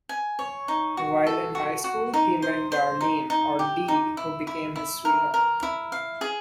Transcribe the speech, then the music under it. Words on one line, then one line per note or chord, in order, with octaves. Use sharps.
While in high school he met Darlene, or "Dee", who became his sweetheart.
G#5
C#5
D#4
F#4
A4
F#4
F#4
D#4
C5
C5
D#4
D#4
G4
D#4
E4
E4
E4
A#4
A#4
E4
F5
G#4